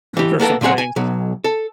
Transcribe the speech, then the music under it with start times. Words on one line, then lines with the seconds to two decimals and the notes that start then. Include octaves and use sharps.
for some things.
0.17 E3 G4
0.40 A#3 B3 A4 A#4
0.61 A#2 F#3 C4 G#4 F#5
0.78 G#5
0.96 B1 F#3
1.44 A4